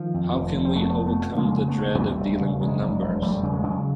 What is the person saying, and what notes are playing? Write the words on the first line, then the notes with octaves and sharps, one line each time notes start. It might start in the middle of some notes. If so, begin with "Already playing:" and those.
How can we overcome the dread of dealing with numbers?
Already playing: D#3 F3
F2
F1
F1
C4
F1 A3 B3
F2
A3 B3
F1
B3
C#3 G#3 A#3
C#3
A3 B3
E1
D#2 G3 A3
E1
C#3
E1 F#3 G#3
E1
E1
E1 G3 A3
C#3
F#3 G#3
C#3